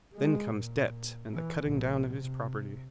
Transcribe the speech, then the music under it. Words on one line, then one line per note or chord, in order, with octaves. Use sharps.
Then comes debt and the cutting down of his property.
G#3
A#2
E3
A#1
C3